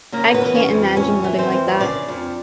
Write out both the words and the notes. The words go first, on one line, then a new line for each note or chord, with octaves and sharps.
I can't imagine living like that.
C#3 A#3 A#4
B3 B4
E3
C#4 C#5
F2
E3 C#4 C#5
E3
C4 C5
F2
C#5
C#3 D4 D5
F2